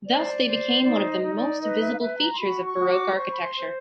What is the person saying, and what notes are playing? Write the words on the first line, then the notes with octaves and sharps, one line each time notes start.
Thus they became one of the most visible features of Baroque architecture.
C5 D5
C5
D#4 D5
D#5
D#4
D5
B4 D#5
E5
F5
B4 E5
A#5
C6
F#4 B5
C#6
F#4
D6
C5 C#6
B5
C6
C5